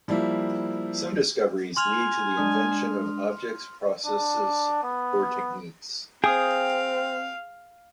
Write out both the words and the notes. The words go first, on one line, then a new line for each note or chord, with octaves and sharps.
Some discoveries lead to the invention of objects, processes, or techniques.
F3 G3 A#3 E4
G#5 C6 F6 F7
G#3 D4 D#6
D4
B3
C4 G#4 F5 G5 D#6